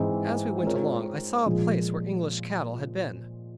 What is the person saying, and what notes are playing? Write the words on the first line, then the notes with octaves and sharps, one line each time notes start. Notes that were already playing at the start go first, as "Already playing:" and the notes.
As we went along, I saw a place where English cattle had been.
Already playing: G#2 E3 G#3 C4 D#4
G#3 C4 F4 A#4 C#5
A#2 F3 G#3